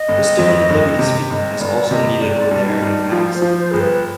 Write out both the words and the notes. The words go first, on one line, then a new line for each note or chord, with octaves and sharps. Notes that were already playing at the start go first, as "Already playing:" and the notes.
The stone at Liberty's feet has also needed repair in the past.
Already playing: D#5
G1
F2
G1
C3
G1 D#5
G1 D5
C3 D#5
G1 D5
G2
D#4
G2
F3 F4
C5
F3
C5
G1 G#4
B4